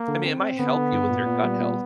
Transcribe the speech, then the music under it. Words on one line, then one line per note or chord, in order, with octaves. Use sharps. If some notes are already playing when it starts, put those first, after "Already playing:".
I mean, it might help you with your gut health.
Already playing: A#3
D3
C4
C4
D3 B3
D3
G2
A#2
A#2
G3
A#2